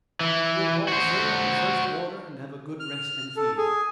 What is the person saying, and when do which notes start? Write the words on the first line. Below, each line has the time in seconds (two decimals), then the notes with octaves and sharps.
"We'll halt, sir, at the first water, and have a good rest and feed."
0.21 E3
0.88 F#4 C5
2.80 F6
3.37 A4
3.57 G#4